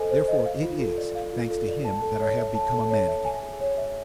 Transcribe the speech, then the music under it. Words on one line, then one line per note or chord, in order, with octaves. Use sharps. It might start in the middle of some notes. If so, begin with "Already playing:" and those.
Therefore it is, thanks to him, that I have become a man again.
Already playing: A4 C5 D#5 G#5
C5
D#5
F5
F4
A4
D5
F5
F4
A4
D5
A5
A4
C#5
E5
A5
A4
C#5
E5
G#5
G#4
C#5
E5